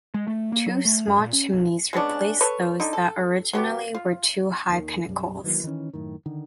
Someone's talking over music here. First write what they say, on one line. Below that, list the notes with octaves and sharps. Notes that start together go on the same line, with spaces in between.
Two small chimneys replace those that originally were two high pinnacles.
G#3
A3
A#3
F#3
A3
F#2
A#2
C#4
B1
G#3 B3 C#4 D4
A4 B4 C#5
D3 D#4
A4
F#3 B3 G4
F4
D#2 D#3
B1 F#2 G3
D#3 E3 F#3 A#3
D#3 E3 G#3 C#4
F#2 A2 D#3
D3 D#3